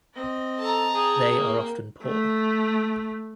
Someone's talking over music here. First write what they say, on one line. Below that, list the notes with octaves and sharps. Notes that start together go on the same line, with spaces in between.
They are often poor.
C4 D#5
A4 A5 A#5
G#4 G5
A#3
A3